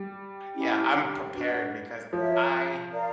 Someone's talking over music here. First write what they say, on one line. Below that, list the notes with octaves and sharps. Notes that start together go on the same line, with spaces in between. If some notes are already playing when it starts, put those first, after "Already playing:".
Yeah, I'm prepared because I
Already playing: G3
C#4 E4 G4
D4 F#4 B4
F3 A#4 C#5 E5
A#4 D5 F5 A#5